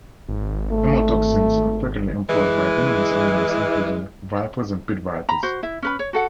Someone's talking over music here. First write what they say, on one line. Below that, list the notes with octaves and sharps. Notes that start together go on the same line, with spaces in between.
Hemotoxins are frequently employed by venomous animals, including vipers and pit vipers.
G#1
A3
E3 G#3
A#5 B5
F#4 C5
E4 E5
C#4 B4 B5
C#5
F#4 A4 F#5